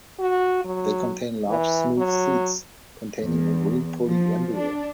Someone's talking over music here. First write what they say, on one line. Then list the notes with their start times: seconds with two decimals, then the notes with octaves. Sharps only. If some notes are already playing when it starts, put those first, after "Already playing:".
They contain large smooth seeds, containing a green polyembryo.
0.19 F#4
0.64 F#3
1.49 E3
1.98 F#3
3.22 E2
4.06 F3
4.55 D4